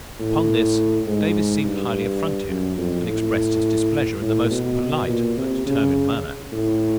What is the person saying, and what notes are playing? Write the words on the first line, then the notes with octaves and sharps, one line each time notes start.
Upon this, Davis seemed highly affronted, and expressed his displeasure in the most polite but determined manner.
A2
G#2
G2
F#2
F2
A2
A2
B2
A#2
C3
C#3
A2